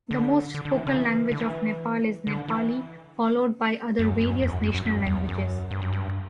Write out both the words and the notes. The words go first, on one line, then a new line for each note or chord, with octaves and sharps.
The most spoken language of Nepal is Nepali followed by other various national languages.
D3
D3
D3
E3
C#3
E3
D3
E3
D3
E3
F#2
F#2
E2
F#2
F#2
F#2
F#2
E2
F#2
G2
F#2
G2